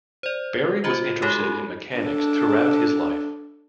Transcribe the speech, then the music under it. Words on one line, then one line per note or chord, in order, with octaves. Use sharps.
Berry was interested in mechanics throughout his life.
C5 D5
F4 F#4 C5 D#5
G#3 D#4 F#4 G4 A4
D4 A4